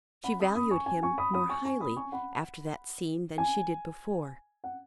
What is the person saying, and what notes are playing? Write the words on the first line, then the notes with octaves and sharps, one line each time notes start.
She valued him more highly after that scene than she did before.
F#5 B5
B5 D#6
B5 D#6
G#5 C#6
G#5
G#5 C#6
B5 D#6
B5 D#6
G#5 C#6
G#5 C#6
B5 D#6
G#5 C#6
F#5 B5
G#5
F#5